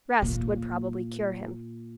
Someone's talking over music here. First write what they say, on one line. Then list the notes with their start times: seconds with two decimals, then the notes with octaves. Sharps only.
Rest would probably cure him.
0.22 A#2